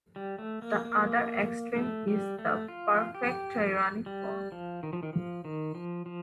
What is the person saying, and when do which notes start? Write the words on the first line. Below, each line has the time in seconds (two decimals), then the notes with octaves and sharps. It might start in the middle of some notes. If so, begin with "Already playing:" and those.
The other extreme is the "perfect tyranny" form.
0.16 G3
0.39 A3
0.62 A#3
0.85 A#3
1.76 A3
2.08 G3
2.39 A3
2.68 F4
3.15 G4
4.06 G3
4.52 F3
4.83 D#3
4.93 F3
5.03 D#3
5.13 F3
5.45 D#3
5.75 F3
6.06 F3